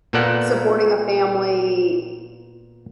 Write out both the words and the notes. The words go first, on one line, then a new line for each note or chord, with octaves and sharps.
supporting a family,
A#2 A#3 B3 A4 D5 F#5